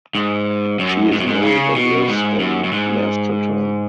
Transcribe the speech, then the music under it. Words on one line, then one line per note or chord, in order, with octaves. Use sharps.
She is married and lives in Masterton.
G#2
F#2
G#2
F#2
G#2
C#3
B2
G#2
F#2
F#2
G#2